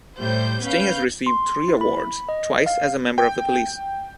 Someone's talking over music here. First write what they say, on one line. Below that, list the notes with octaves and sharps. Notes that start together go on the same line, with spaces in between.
Sting has received three awards, twice as a member of The Police.
A2 G3 C5 G6
B3 C#4 B4 F5 G6
C6
E4
B5
D#5
F5
G5